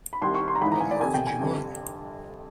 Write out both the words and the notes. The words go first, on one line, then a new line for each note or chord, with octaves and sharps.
What more could you want?
B5
C2 C3 D#3 G3 C6
C#6
C6
A#5
G#1 G#2 E3 B5
A#5
G#5
D5
F2 C3 D#3 G#5
G5
G#5
G1 F2 C3